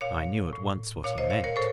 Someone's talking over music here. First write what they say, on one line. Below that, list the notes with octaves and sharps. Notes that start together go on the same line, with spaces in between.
I knew at once what he meant.
A#2 C#5 F5
A2
A#2 C#5 F5
C5 D#5
C#5 F5
A#4 C#5
A2 A4 C5